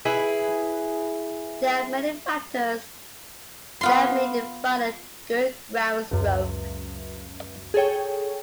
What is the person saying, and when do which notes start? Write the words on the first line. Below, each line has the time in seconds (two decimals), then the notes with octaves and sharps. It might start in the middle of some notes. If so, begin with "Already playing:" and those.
There are many factors that may define a good groundstroke.
0.05 E4 G#4 B4
3.81 B3 F4 C6
6.11 C#2 F#2
7.74 G#4 A4 C#5 G5